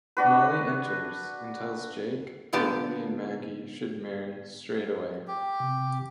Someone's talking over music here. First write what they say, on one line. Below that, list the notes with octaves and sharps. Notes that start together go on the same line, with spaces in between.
Molly enters and tells Jake that he and Maggie should marry straight away.
D4 F#4 B4
A#2 D3 B3 G4 A5
G4
C3